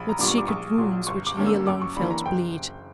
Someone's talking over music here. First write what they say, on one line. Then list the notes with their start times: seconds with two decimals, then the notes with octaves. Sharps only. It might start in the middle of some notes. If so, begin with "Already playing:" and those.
What secret wounds which he alone felt bleed!
Already playing: A#1 B5
0.09 A#5
0.19 A#2 G3 B3 D4 D6
0.28 C#6
0.38 D6
0.48 A#1 C#6
0.78 A#2 F#3
1.07 G1 C#6
1.27 D6
1.37 G2 D3 A#3 C#4
1.46 E6
1.67 F#2 D6
1.82 C#6
1.96 E3 A#3 D4 B5
2.11 A#5
2.26 F#1 G5